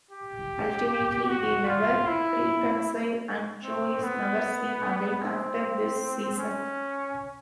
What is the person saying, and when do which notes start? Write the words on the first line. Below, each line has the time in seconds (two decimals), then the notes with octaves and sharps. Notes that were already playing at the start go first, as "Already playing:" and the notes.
Ultimately, they never reconcile and Joe is never seen again after this season.
0.11 G4
1.29 F#4
1.68 F4
2.07 E4
3.64 C4
4.03 B3
5.20 C4
6.39 C#4